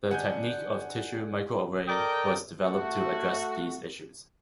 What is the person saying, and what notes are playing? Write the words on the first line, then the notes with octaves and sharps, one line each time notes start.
The technique of tissue microarray was developed to address these issues.
D3 G3 G#3 F#5 G#5 G6
A4 A#4 D5 D#5 G5
A3 F#4